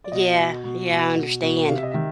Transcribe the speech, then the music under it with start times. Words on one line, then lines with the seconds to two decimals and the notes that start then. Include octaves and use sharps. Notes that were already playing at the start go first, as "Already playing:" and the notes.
Yeah, yeah, I understand.
0.04 D5
0.12 B2 D#5
0.38 B2
0.64 B2
0.90 B2
1.16 B2
1.42 B2
1.68 C3 F5
1.76 E5
1.83 D#5
1.91 D#3 E5